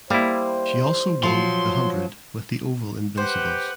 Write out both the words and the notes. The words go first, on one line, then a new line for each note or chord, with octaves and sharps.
She also won The Hundred with the Oval Invincibles.
G3 A#3 E4 C5
F3 F#3 C6
G4 B4 C5 F#5